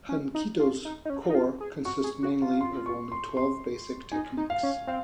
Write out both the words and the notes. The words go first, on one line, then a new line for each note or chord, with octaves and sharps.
Hankido's core consists of only twelve basic techniques.
C#4
D#4
F4
D#4
D#4
C#4
D#4
F4
G#4
F#4 C#6
G#4
F#4
F4
C6
C#6
C6
C6
D#4 G#5
D#4
F5
C#4
C4 F5